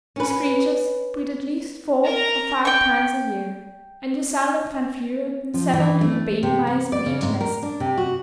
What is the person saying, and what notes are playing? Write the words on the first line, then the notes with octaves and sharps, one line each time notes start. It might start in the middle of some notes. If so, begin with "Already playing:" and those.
These creatures breed at least four or five times a year; and you seldom find fewer than seven little baby-mice in each nest.
C#4 B4
A#4 A#5
G5 C#6
F3
E3
A3
C3
B3
D5
C#3
G#2
A#4
D4
C3
F#4